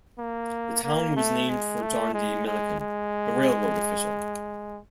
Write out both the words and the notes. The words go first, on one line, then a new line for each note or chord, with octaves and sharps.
The town was named for John D. Milliken, a railroad official.
A#3
A#3
A3
G#3
A3
G#3
G#3
G#3